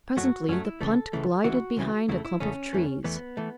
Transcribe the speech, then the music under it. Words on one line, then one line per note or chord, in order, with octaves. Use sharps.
Presently the punt glided behind a clump of trees.
F#2 F#3 A3 F#4
F#2 F#3 A3 C#4
E4
C#2 C#3 E3 A3 A4
C#2 C#3 E3 A3
C#2 C#3 E3 F#4
C#2 C#3 E3
E2 C#3 A3 E4
E4
E2 C#3 A3 C#4
E2 E3 A3
E2 E3 A3 B3
E3 A3